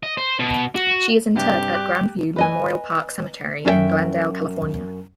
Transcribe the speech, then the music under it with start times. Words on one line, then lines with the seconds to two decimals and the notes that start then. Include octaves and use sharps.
She is interred at Grand View Memorial Park Cemetery in Glendale, California.
0.03 D#5
0.18 C5
0.39 B2
0.75 F#4
1.35 C2 G2 G3 G4
1.74 D6 F#6
2.36 B4 D#5 G#5
3.65 F#2 D4 F#4 E5 G5